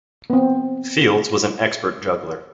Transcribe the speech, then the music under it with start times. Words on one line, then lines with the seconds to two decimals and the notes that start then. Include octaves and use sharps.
Fields was an expert juggler.
0.30 B3 C4